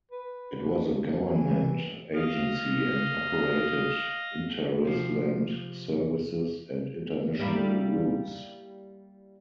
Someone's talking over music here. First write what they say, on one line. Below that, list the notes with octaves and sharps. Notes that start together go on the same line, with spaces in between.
It was a government agency and operated interisland services and international routes.
B4
E3
D#5 F5
C3 F3
G3 A#3 E4